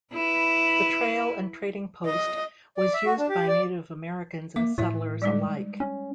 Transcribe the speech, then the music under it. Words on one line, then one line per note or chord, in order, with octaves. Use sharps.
The trail and trading post was used by Native Americans and settlers alike.
E4 B4
D#5
D5
E5
F#4
D4
G4
D5
A#3 E5 D6
A2 E3 E5
G3 G#3 D#4
C#4